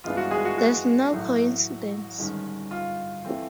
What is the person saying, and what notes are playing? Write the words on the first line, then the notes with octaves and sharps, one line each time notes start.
That's no coincidence.
G2 E3 G#3 B3 D4 F4
F#4
G#3 G#4
F#4
F#4
A1 A2 F#3 A3
G1 G2 D#3 G#3 C#4
F4
E3 A3 C4